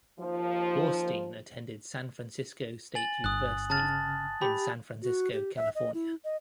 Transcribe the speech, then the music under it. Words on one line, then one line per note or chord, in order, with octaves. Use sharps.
Borstein attended San Francisco State University in San Francisco, California.
D#2 F3
G#5 A6 F#7
G1 D#6 F#6
C#3 A5 F6 A6
G4 B5
F#4
G4
E5
D#5
E4
D#5